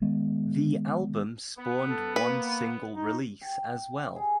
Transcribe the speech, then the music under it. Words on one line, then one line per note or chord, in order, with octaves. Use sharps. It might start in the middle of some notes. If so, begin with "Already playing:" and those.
The album spawned one single release as well.
D#3 G#3 B3
B3
A4
A#3 B4
D#4
G5
G#4